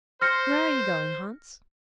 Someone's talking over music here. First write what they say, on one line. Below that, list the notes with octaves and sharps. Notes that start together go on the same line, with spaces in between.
'Where are you going, Hans?'
C5 F6 A#6 C#7